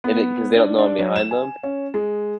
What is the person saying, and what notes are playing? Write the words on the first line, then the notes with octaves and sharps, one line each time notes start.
and it 'cause they don't know I'm behind them,
B3
D4
D4
F#3
E7
G#5
C#4
G#3